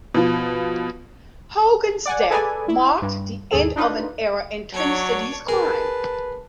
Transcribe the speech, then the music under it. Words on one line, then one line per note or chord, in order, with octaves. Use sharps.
Hogan's death marked the end of an era in Twin Cities crime.
B2 F3
D5 F#5 G#5
G#4 A4 B4 D5 G#5
E4
G2
G#1 D#2 G#4 A4
D4 D#4 F4 B4
F#3 D4 C#5
G#4 A#4 B4 A5